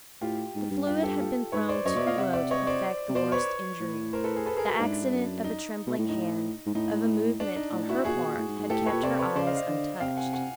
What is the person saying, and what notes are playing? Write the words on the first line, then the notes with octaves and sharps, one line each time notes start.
The fluid had been thrown too low to effect the worst injury; the accident of a trembling hand, of a movement on her part, had kept her eyes untouched.
A2 F4 G4
G#2
G2
F4 G4
G4 A4
F4 G4
G#2 B4 C#5
C5 D5
F#2 C#5 D#5
B2 D5 E5
A#2 D#5 F5
C3 E5 F#5
D5 E5
C#5 D#5
C5 D5
C3
B2 C5 D5
B4 C#5
A2
A#4 C5
A4 B4
G#4 A#4
A4 B4
G#4 A#4
F#4 G#4
G#2 D4 E4
G2
F#2
D#4
B2
A2
D#4
G#2
A2 D#4
D4
D#4
A2
E4 F#4
A#2 F#4 G#4
B2
A#2
A2
G#2
G#2
A2 G4 A4
A2
B4 C#5
A#2
C3 C5 D5
B4 C#5
C#3 C5 D5
D#5 F5
D#5 F5
D3
C3 F5 G5
F#5 G#5
F#5 G#5